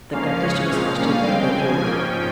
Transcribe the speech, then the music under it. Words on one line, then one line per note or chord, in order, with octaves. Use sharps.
The contest was hosted by Terry Wogan.
G#2 F3 A#3 C#4 F5
C#3 G#3 C#4 C#5
A#2 F3 G#3 C4 F5
A#2 G3 A#3 C#4
C#3 G#3 C4 G5
C#3 F3 C4 G#5
G#2 F3 A#3 C#4 G5